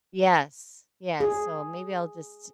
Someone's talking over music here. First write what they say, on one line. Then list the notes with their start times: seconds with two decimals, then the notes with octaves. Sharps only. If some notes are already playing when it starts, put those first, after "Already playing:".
Yes, yes. So maybe I'll just
1.20 G#4